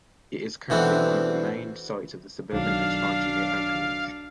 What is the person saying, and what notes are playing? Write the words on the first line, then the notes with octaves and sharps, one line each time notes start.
It is currently one of the main sites of suburban expansion near Anchorage.
B2 D3 E3 C4
B1 D#3 D4 F5